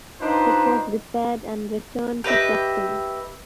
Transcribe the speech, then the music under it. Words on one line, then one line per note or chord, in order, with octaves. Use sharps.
It was repaired and returned to testing.
D4 D#4 F4 B4 C5
G4 B4 D#5 E5